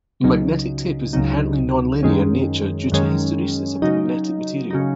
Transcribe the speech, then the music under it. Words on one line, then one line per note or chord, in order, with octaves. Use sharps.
Magnetic tape is inherently non-linear in nature due to hysteresis of the magnetic material.
C#2 C#3 F#3 D#4
C#2 C#3 F#3 D#4
F#2 D#3 G#3 C#4
F#2 D#3 G#3 C#4
C#3 F#3 D#4
C#3 F#3 D#4